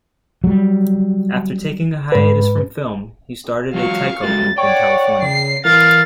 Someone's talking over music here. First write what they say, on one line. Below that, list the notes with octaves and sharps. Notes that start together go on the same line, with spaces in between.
After taking a hiatus from film, he started a taiko group in California.
F#3 G3
G#2 B4
F#3 F4 F#4 F5 C#6
G#3 A3 F#4 A6
C#5 D5 F#5 G5
C#3 C7
E3 A#4 F5 A6